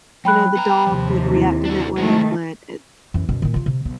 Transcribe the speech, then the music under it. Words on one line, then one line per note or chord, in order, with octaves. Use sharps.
you know, the dog would react in that way, but it,
F#3 G5 B5 F#6
B3 A#5
D#2 C3 F3
E4
D4 F#4
D#3 G#3 A3 C4
F#2 E3
F#2 B2
A#2 D#3
C3 F4
C3
B1